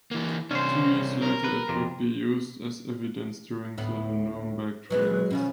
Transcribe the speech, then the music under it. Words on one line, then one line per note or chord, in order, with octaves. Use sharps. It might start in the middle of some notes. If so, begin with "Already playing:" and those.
Two years later it would be used as evidence during the Nuremberg Trials.
E3 A#3
C3 C#4 D4 C5
A#4
B4
F2 C3
D2 A2 B3
F#3 G#3 B3 B4
B2 D#3 F3 C#4